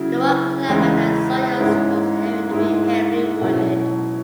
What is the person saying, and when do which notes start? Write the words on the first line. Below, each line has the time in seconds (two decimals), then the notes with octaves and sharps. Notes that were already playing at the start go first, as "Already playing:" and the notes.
The raw climate and soils cause the area to be heavily wooded.
Already playing: C#3 F#3 E4
0.69 E2 C#3 G#3 E4
1.60 G#2 G#3 C#4 E4
2.50 G#2 G#3 E4
3.41 B2 F#3 C#4 E4